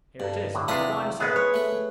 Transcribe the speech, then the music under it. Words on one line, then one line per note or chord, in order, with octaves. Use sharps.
Here it is--a wine-cellar.
G2 A4 A#4
A2 D3
E2 C3 D4 E4 F5 B5 D#6
G#3 B3 G#4 B4
C#5
A3 B4